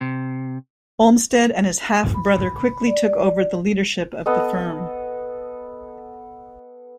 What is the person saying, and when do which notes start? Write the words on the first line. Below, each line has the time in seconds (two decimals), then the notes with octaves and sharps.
Olmsted and his half brother quickly took over leadership of the firm.
0.01 C3
2.14 B5
2.87 D5
4.26 B3 A4 D#5